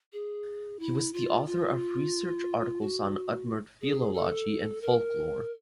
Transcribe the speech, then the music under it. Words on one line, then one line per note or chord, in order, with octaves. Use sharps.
He was the author of research articles on Udmurt Philology and folklore.
G#4
E4
F4
F4
F#4
G#4
A4
A#4